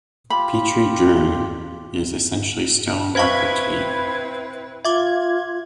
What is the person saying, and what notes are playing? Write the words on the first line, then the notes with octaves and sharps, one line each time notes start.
Pietre dure is essentially stone marquetry.
F4 G4 B5
C4 E4 B4 C5 F5 B5 C#6 G#6
F4 E5 D6 G#6